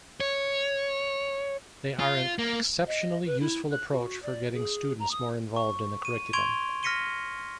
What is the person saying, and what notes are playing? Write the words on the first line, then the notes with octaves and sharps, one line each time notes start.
They are an exceptionally useful approach for getting students more involved in the curriculum.
C#5
F4
A#3
D#5
B4
E4
F#6
F#4
D5
G#4
A#5
D#6
C#6
D#7
C6 C#6 G#6 D7 F7 G7
F6 A#6 B6 C#7 D#7 G7